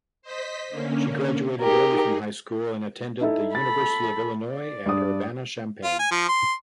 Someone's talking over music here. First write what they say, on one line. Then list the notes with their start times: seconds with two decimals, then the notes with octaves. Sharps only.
She graduated early from high school and attended the University of Illinois at Urbana-Champaign.
0.22 C5 D#5 B6
0.69 D3 A#3 C#4
1.59 D#4 G4 G#4 A#4
3.21 D#4 E4 A4
3.55 A4 B5 A6
4.50 D5
4.86 G2 G4 D#6
5.84 F4
5.99 G#5
6.11 F3
6.29 C6